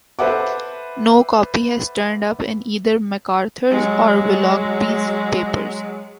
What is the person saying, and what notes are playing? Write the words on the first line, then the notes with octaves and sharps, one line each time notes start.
No copy has turned up in either MacArthur's or Willoughby's papers.
A4 B4 C5 E5 F#5 D6
F#3 G#3